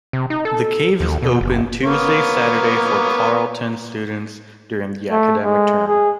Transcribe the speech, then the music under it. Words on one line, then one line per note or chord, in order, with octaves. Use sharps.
The Cave is open Tuesday-Saturday for Carleton students during the academic term.
C3
D#4
A4
D#2
B2
F#1
A#3 B3 C#5
A3
G#3
G#4